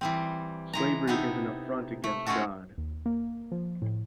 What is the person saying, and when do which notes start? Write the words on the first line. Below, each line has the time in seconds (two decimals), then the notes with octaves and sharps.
Slavery is an affront against God.
0.01 E3 G3 C4
0.73 E3 G#3 A#5
1.08 C3 B3 D#4 E4 A4
2.04 A3
2.27 G#3 A3 C#4 F#4 A4
2.78 D#2
3.06 A#3
3.52 F3
3.82 A2